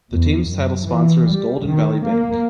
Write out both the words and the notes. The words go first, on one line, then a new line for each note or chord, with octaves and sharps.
The team's title sponsor is Golden Valley Bank.
E2
F#2
E3
G3
D#3
A#3